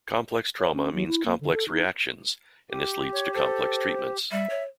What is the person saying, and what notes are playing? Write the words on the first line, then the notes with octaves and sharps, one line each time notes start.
Complex trauma means complex reactions and this leads to complex treatments.
C#5
C#4
F#3
E4
A#3
D3
A4
D#4
G4
C#5
A4 C5
G3 E5
C#5